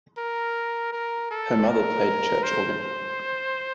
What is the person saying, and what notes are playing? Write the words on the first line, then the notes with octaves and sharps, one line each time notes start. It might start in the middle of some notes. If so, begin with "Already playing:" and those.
Her mother played church organ.
A#4
A#4
A4
A#4
C5